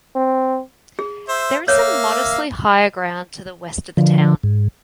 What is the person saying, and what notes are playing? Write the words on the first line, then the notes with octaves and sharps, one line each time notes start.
There is some modestly higher ground to the west of the town.
C4
G#4
C5 E5
A#3 C#5 E5 F5
D3 F3
G#2